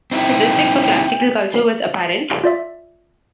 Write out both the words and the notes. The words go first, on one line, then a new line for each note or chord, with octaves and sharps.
His respect for classical culture was apparent.
C4 D#4 E4 G5
F4 D5 E5